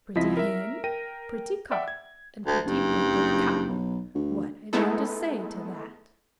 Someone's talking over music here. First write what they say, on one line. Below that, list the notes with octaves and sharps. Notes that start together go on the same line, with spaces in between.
"Pretty Hen, pretty Cock, And pretty brindled Cow, What have you to say to that?"
C#2 F3 C4 E4 D#5 B6
A#4 E5
A#4 G5 A#6 D#7
D5 E5 F#5 G5
G#6
D2
F#1 G2
B1
D2
G#3 A3 B3 D#4 E4 A4